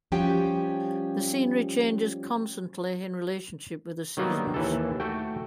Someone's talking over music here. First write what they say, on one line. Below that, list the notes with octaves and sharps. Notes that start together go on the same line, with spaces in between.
The scenery changes constantly in relationship with the seasons.
F3 G3 C#4 F#4 G4 G5
D#3 F#3 G3 A#3 B3
D#2 E3 A4
A3 F#4 G5